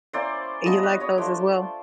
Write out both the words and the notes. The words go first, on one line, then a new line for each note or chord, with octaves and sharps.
You like those as well?
A#3 C#4 E4 C5 D5
G3 B3 D4 F4 C#5 D#5
B4 C#5
C#5 D#5
A3 D4 F4 C5 D5